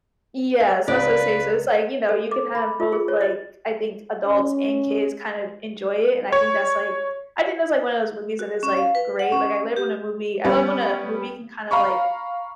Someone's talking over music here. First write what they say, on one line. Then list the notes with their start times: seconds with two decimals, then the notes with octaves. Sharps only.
Yeah, so so say so it's like, you know, you can have both like, I think adults and kids kind of enjoy it, and I think that's like I think that's like one of those movies that is like great, like, I live when a movie I love when a movie can kind of like
0.88 C#2 B4 D5
2.09 A4
2.31 D6
2.55 B5
2.80 F4
2.92 G#4
3.08 C#5
3.21 D#5
4.25 C#4
6.32 C#5
8.39 F#4
8.63 C#4
8.77 F5
8.95 B4
9.19 F#5
9.32 C#4
9.76 G4
10.45 G3 B3 C#4
11.71 F5 A#5 B5 C#6